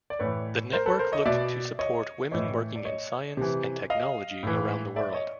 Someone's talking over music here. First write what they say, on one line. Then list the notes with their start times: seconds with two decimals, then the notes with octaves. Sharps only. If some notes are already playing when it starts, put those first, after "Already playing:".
The network looked to support women working in science and technology around the world.
0.10 D5
0.19 A2 E3 B4 C#5
0.72 A#4 C5
0.86 A4 B4
0.99 A#4 C5
1.12 C#5 D#5
1.25 B2 D5 E5
1.79 C#5 D#5
2.31 A2 E3 C#5 D#5
2.76 D5
2.85 C#5 D#5
3.37 C3 E3
3.90 D#5 F5
4.43 A2 E3
4.96 D5 E5
5.13 C#5 D#5